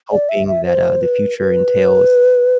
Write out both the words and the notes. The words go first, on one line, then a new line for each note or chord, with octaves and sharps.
hoping that, uh, the future entails,
D5
E5
E5
C5
B4
B4